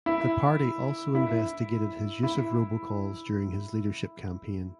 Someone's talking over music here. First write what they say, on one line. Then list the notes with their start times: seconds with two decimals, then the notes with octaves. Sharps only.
The party also investigated his use of robocalls during his leadership campaign.
0.06 E4
1.15 E4
2.23 E4